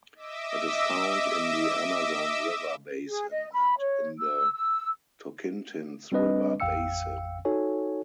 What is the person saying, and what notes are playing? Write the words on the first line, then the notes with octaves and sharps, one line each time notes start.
It is found in the Amazon River basin and in the Tocantins River basin.
D#5 E5 D6 E6
G#4
D#5
B5
C#5
E6
E6
G3 C4 D4 B4 D#5
A1 F2 F5 G5 E6 C#7
D#4 F#4 A4 C#5 G#5